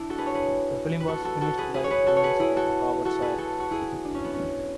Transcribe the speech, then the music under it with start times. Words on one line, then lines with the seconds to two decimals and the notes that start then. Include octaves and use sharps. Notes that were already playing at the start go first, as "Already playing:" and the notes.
The film was finished by Wiene's friend Robert Siodmak.
Already playing: D4 E4
0.10 F#4 A4
0.18 G#4 B4
0.26 A4 C#5
0.34 G#4 B4
1.00 B4
1.08 F#4 A4
1.25 F#4 A4
1.41 F#4 A4
1.58 G#4 B4
1.74 G#4 B4
1.84 C#5
1.90 G#4 B4
2.07 F#4 A4
2.16 C#5
2.23 G#4 B4
2.39 E4 G#4
2.56 F#4 A4
3.05 F#4 A4
3.22 G#4 B4
3.38 F#4 A4
3.60 F#4
3.71 E4 G#4
4.04 D4
4.14 C#4
4.24 B3
4.34 C#4